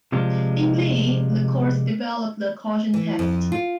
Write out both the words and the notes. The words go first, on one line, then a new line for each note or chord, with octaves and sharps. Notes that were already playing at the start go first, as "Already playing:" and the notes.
In "Lee" the Court developed the coercion test.
C3 F3 G#3 D4 F4
E3
F2
F4